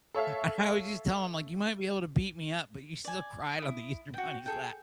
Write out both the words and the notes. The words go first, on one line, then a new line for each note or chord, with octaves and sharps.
And I would just tell him like, "You might be able to beat me up, but you still cried on the Easter Bunny's lap."
A4 C#5 E5 F5
D5 G#5
E4 D#6
F#4 G5
G#4 A4 G5